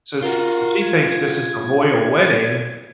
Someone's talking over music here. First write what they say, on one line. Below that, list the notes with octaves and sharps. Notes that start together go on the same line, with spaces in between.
So so, she thinks this is a royal wedding,
F4 F#4 A#4
G#6